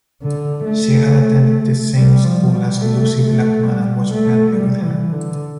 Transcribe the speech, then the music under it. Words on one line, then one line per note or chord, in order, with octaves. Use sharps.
She had attended the same school as Lucie Blackman and was friendly with her.
D3
A3
G3
F3
G3
A3
A3
G3
A3
G3
E3
D3